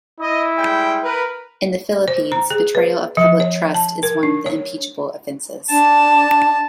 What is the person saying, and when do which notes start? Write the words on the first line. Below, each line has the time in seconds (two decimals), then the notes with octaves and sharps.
In the Philippines, "betrayal of public trust" is one of the impeachable offenses.
0.20 E4 D#5
0.55 G3 G#3 G5
1.03 A#4 B4
2.08 C5
2.32 A#5
2.51 G#4
2.75 B4
3.17 F3
3.40 C#5
3.74 A5
4.03 A#4
4.23 D4
4.46 C#5
5.70 D4 A5